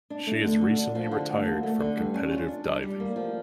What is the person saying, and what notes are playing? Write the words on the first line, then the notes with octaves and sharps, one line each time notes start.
She has recently retired from competitive diving.
D4
A3
D3
D2
D4
F3
D3
D2
A#3
A3
D3
G2
C#4
F4
D4
G3
G3
A#3
F3